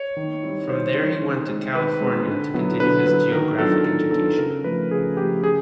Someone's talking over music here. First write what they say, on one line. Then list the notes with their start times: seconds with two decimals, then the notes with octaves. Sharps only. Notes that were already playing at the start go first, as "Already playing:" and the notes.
From there he went to California to continue his geographic education.
Already playing: C#5
0.17 D#3
0.43 G3 C4 E4
0.70 D#3 C5
0.88 C5
0.96 G3 C4 E4
1.04 C5
1.22 D#3
1.48 G#3 C4
1.75 D#3 B4
2.00 G#3 C4
2.27 D3
2.54 F#3 B3 E4
2.80 D3 B4
3.06 F#3 B3 E4 B4
3.32 D#3 A#4
3.58 F#3 B3 D4 F4 A4
3.85 D#3 A4
4.11 F#3 B3 D4 F4 A4
4.38 C#3 A#4
4.64 F3 A3 B4
4.91 C#3 G#4
5.17 F3 A3 G4
5.43 C#3 G#4